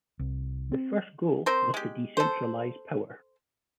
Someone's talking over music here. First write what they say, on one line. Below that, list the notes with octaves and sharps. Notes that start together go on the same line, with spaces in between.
The first goal was to decentralise power.
C2
C4
C4 A#4 C5
G#3 G4
A4 C5